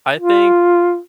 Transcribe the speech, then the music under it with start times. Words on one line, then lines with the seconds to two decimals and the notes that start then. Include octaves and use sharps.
I think
0.19 F4